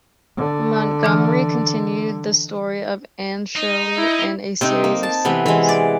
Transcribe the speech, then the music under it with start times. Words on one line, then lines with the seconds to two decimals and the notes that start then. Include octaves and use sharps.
Montgomery continued the story of Anne Shirley in a series of sequels.
0.37 D3
1.03 E3 D4 F6
3.56 D#4
3.97 E4
4.61 C3 C4 D#4
4.84 A#3
5.03 A5
5.25 C3 E3 B3
5.46 E3 G#3
5.69 D5